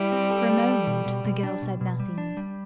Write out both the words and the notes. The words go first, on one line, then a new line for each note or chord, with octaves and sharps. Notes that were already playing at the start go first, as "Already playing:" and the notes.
For a moment the girl said nothing.
Already playing: G3 E4
C4
A4
A4
A4
B2
B2
B2
D4
B2
B2
G3
D4
G3